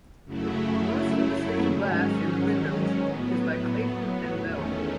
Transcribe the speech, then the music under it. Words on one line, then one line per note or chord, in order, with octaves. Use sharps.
Most of the stained glass in the windows is by Clayton and Bell.
F#2 C#3 F#3 A3 E4
G#2 D#3 F#3 C#4
A2 F#3 B3
E2 D#3 A3 C#4